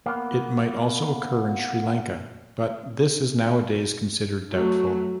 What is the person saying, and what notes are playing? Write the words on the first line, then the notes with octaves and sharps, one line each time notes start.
It might also occur in Sri Lanka, but this is nowadays considered doubtful.
A#3 B3
F#3 A3